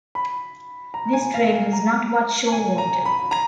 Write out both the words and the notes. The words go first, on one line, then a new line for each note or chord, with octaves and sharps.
This trade was not what Shaw wanted.
B5
A#5
G#5
F5
A#5
G#5
A#5
B5
A#5